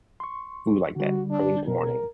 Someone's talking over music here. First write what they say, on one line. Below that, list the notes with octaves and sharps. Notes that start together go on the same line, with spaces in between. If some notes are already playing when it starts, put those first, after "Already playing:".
food, like that early in the morning.
C6 C#6
D3 G3 F#4
D4
B2 A#4